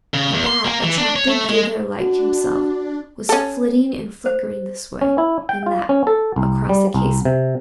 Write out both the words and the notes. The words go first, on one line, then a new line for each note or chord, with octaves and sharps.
A bat, attracted thither like himself, was flitting and flickering, this way and that, across the casement.
C#3
E2
C6
A#3
E3
D4
C#5
A3
G#3
D4 F#4
C#4 A4
C5
C#4
E4
G5
F4
C#4
A4
C2
G3
C2
C3